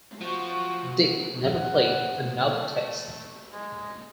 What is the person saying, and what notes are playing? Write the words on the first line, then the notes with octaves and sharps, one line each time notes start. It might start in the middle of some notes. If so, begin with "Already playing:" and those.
Dick never played another Test.
F3 F#4 C5 C#6
F#5
A3
G#3